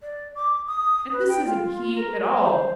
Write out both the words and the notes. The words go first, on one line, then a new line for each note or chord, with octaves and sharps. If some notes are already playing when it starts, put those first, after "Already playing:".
And this isn't he at all!
D5
D6
D#6
B4
G5
F4
A#4
G#5
C5